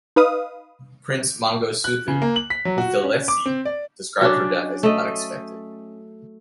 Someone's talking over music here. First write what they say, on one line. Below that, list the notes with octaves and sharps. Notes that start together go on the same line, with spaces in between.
Prince Mangosuthu Buthelezi described her death as "unexpected".
D#4 B4 F5 D#6
F#6
C#3
A#3
F#7
B6
F#3
F#4
C#4
D6
C4
D5
F#3 C#4 D4
A3 D#5